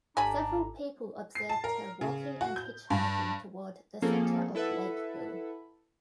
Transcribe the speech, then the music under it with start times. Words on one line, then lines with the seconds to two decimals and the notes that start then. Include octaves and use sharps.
Several people observed her walking and hitchhiking toward the center of Lakeville.
0.17 G#1 D4 G4 A4 G#5 A#5 B5
1.35 C7
1.49 A5
1.64 A#4
2.01 C#3
2.41 F#4
2.56 G6
2.90 G2
4.02 F3 A#3 C4 C#4 G#4 A4
4.55 E4 A4 B4 E5 F#5